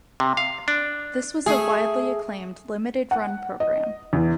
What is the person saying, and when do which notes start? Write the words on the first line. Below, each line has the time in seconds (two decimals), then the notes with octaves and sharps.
This was a widely acclaimed limited run program.
0.20 C3
0.37 F5
0.68 D4
1.46 A3 G#4
3.11 F#5
3.60 D#5
4.13 E2